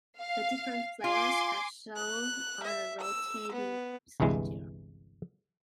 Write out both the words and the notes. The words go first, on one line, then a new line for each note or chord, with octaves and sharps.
The different flavors are sold on a rotating schedule.
F5
F4 G#5 C6 D6
F#6
E5
E6
B3
G1 C2 G2 E3 G#3